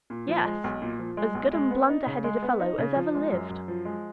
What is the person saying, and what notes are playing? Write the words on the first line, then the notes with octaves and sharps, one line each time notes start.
"Yes; as good and blunder-headed a fellow as ever lived."
A#2
F3
G#3
B1
A#2
F3
G#3
B1
G#3
B3
D#4
C#3
G#3
B3
D#4
C#3
F3
G#3
F#2
F#2
F3
G#3